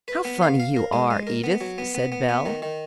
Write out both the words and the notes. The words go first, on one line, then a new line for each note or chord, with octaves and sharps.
"How funny you are, Edith," said Belle.
B4
B3
F5
F5
A#4
G#3
G#3
A#4
B3
F#3
B3
B3
B3
B3
D#3
D#3